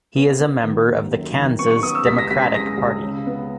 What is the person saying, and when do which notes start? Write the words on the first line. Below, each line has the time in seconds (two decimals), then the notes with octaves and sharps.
He is a member of the Kansas Democratic Party.
0.16 B3
0.40 B3
0.63 D#3
0.88 D#2
1.11 F#2
1.35 D#3
1.59 B3 C#6
1.70 C#6
1.83 B3 D#6
1.95 E6
2.07 C#2 B6
2.18 A#6
2.31 C#2 B6
2.42 B6
2.54 G#3 A#6
2.78 C#2
3.02 C#3
3.27 B3